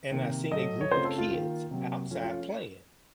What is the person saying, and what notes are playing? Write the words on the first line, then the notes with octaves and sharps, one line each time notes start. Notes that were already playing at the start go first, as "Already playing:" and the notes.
and I seen a group of kids outside playing,
C3 D#3 A#3
A2 F#3 A3 D#5
C#5
C#3 A3 C4 F4 C5
A4
F4
D#3 A#3 F4
C3 F#3 A#3
F3 A3 C#4
F4